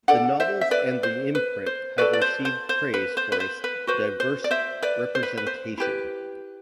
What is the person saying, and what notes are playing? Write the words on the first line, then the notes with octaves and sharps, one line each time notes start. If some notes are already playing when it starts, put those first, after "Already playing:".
The novels and the imprint have received praise for its diverse representation.
D4 A4 D5 F#5
C5 E5
E5
B4 D5
C5
B4
C5
F#4 A4 B4 D5
D5
C5
C5
C5
B4
C5
B4
C5
B4
F#4 B4 C5
C5
D5
C5 E5
B4 D5
C5
B4
B4
C5
E4 G4 B4